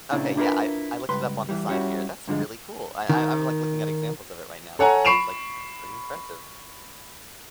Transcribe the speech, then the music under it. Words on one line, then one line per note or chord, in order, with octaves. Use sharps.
Okay, yeah, I I looked it up on the side here. That's really cool. I I I'm, like, looking at examples of it right now even, and it's, like, pretty impressive.
A#2 C#3 C4 D4 E4
D4 E4 F4 G#4 A#4 B4
C#2 G2 B4 C6
E3 G3
G3 C#4 E4 F#4
G2 D3 F3 G#3
D#3
A4 C#5 F#5 G#5 A#5
B5 C#6 C7 D7 E7 F7